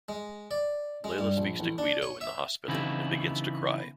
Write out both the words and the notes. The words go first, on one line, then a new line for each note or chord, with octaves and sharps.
Layla speaks to Guido in the hospital and begins to cry.
G#3
D5
G#3
G2
A#1
A1
D4
C#5
E5
C#3 E3 B3 C4 D#4 E4